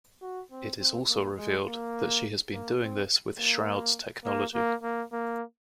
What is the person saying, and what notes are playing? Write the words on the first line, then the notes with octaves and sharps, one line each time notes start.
It is also revealed that she has been doing this with Shroud's technology.
F#4
C4
C4
A#3
G#3
A#3
A#3
C4
A#3
A#3
A#3
A#3
A#3